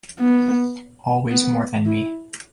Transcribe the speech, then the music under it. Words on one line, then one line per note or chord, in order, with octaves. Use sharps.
Always more than me.
B3
B3
E4